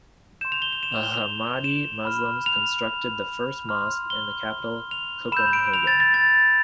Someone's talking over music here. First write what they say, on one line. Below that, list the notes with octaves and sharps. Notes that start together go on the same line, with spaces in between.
Ahmadi Muslims constructed the first mosque in the capital, Copenhagen.
C6 G6 E7
F7
G7
F7
E7
F7
G7
F7
E7
B5 F6
F7
C6 F6
G7
F7
B5 E6 G6 E7
D7
F7
A6
A6
A6